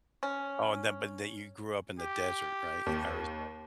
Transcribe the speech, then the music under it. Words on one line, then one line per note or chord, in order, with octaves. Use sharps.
Oh, and then but then you grew up in the desert, right, Arizona.
C#4
G4
D#2